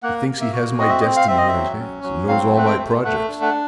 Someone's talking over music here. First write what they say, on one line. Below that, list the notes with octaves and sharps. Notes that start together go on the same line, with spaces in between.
He thinks he has my destiny in his hands, and knows all my projects.
A#3 F#5
A#3
E5
F#4
C4 D#5
E5
D#5
C4
F5
C4 E5
D#5
E5
F#3
C#4
F#3
C4 F5
A3 F#5
G5
A3
A3 F#5
D4
F#5